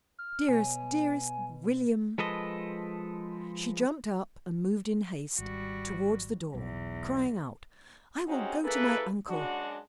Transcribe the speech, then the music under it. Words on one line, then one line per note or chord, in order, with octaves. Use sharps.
Dearest, dearest William!" She jumped up and moved in haste towards the door, crying out, "I will go to my uncle.
F6
B2 C#5 G#5
F3 G#3 A4 B4 D#5
G#1 G3 F#4
B1 E2
C3 C4 C#4 D#4 F#4 G#4
A#3 E4 G#4 A4 B4
F#2 G#3 D4 F#4